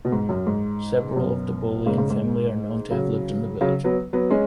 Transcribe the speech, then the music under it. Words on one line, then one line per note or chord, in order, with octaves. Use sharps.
Several of the Boleyn family are known to have lived in the village.
B2
G#2
F#2
G#2
F#2 B2
G#2 C#3
G#2 C#3
G#2
C#3 F#3
C#3 F#3
F#3 B3
F#3 B3
G#3 C#4